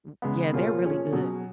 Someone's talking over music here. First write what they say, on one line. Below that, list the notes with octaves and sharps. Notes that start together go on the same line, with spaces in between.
W yeah, they're really good.
C#3 G#3 B3
B2 A#3 F4 G#4 C#5
F3 A#3 C#4 G#4 C#5
B2 F#3 C#4 G#4